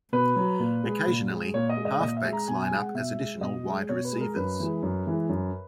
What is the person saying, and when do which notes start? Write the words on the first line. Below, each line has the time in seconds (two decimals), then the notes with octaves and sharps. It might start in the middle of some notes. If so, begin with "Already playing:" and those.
Occasionally, halfbacks line up as additional wide receivers.
0.13 B2 B4
0.36 F#3
0.60 A#2
0.84 G#3
1.07 A#2
1.30 G#3
1.54 A#2 C#5
1.69 D#5
1.77 G#3
1.85 D#5
2.00 A#2 D#5
2.17 E5
2.25 G#3
2.33 A#5
2.48 B2 G#5
2.63 G#5
2.71 G#3
2.79 F#5
2.94 B2 E5
3.19 G#3
3.41 B2 D#5
3.65 G#3
3.89 B2 C#5
4.05 B4
4.13 G#3
4.20 A#4
4.36 F#2 B4
4.60 E3 G#3
4.83 F#2
5.07 E3 G#3
5.29 F#2